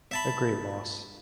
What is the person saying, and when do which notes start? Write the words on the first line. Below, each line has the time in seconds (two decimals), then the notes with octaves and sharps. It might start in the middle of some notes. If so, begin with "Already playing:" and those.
A great loss.
0.11 E5 A5 B5